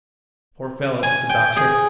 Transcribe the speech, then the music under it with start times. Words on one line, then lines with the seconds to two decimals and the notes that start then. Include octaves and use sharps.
"Poor fellow!" said the doctor.
1.03 G#5
1.29 G5
1.57 G#4